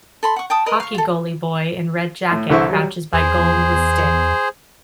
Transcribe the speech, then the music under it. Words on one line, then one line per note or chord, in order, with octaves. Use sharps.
Hockey goalie boy in red jacket crouches by goal, with stick.
A4 B5 C6
F#5 C#6
G5 A5 D#6
A#4 B4 D#5
F5 C#6
F4 A4
A2
C2 D3 E3 E4 C5 C#6
F#3 G3
E2 G#4 C5